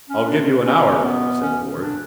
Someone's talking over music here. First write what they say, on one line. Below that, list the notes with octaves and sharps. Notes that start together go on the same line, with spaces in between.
"I'll give you an hour," said Borg.
C#4
B2 D4
B2 C#4
B3
C#4
D4